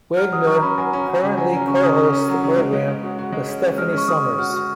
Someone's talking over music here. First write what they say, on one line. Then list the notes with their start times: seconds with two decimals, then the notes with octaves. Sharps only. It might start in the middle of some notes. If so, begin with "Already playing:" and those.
Wegner currently co-hosts the program with Stephanie Summers.
0.17 F#3 F6
0.32 F#3 D#6
0.47 F#3 C#6
0.57 A#5
0.62 C#4 B5
0.78 F#3 G#5
0.93 C#4
1.07 C#4 F#5
1.23 C#3
1.37 F#3 G#5
1.52 C#4 A#5
1.67 C#3 C#6
1.75 F6
1.83 C#3 D#6
1.93 C#6
1.98 C#4 D#6
2.13 C#4
2.28 F#3
2.44 C#3
2.58 G#3
2.73 G#3
2.88 G#3
3.03 F#4
3.19 F#4
3.33 G#3
3.48 C#4
3.63 C#4
3.78 G#3 F6
3.93 C#4
3.98 C#6
4.08 G#3 D#6
4.24 C#4
4.38 F#4 F6
4.53 F#4 C#6